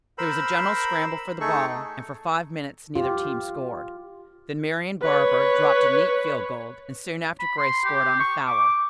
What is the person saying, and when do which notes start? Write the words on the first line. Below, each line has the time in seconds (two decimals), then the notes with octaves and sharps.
There was a general scramble for the ball, and for five minutes neither team scored; then Marian Barber dropped a neat field goal, and soon after Grace scored on a foul.
0.18 A#4 C5 B5 E6
1.40 A3 D#4 G#4 A4 C#6
2.95 F4 G4
5.01 B4 C#5
7.39 B5
7.58 C6
7.85 G4
8.20 C#6
8.46 D6